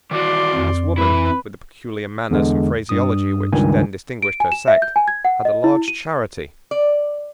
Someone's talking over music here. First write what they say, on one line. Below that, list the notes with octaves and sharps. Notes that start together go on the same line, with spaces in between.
This woman, with the peculiar manners and phraseology which then distinguished her sect, had a large charity.
D#3 E3 F#4 D5 C6
F2
E3 E4 B4
E2 D3 G#3
G2 D#6
C#2 G2 D#3 G#5
D7
G#5
E7
E5
G6
G#5
G#6
F#5
D#5
E4
D#7
D5